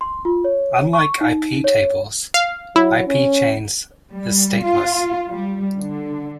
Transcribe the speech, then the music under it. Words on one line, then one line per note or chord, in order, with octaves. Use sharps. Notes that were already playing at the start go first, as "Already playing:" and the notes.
Unlike iptables, ipchains is stateless.
C6
F4
C#5
C#6
D#4
C#5
F5
F#3 E4
C#4
G3
F4
G3
D3